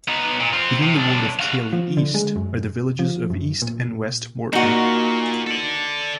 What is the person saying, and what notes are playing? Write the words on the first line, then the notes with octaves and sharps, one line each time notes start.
Within the Ward of Keighley East are the villages of East and West Morton.
B3 D#4
A#2
C4 F4
C3
B1 D4
F#4 F5
F3
D3
G#3
F#2
F3
F#2
A#2
A#2 A#3 D#4 F#4
A4 D5